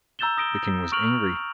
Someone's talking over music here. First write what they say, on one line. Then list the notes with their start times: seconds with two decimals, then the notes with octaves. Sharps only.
The king was angry.
0.19 A#5 E6 G6 A6 E7 G7
0.37 D#6 A#6 D7 G7
0.92 C#6 F6 D7 F7 F#7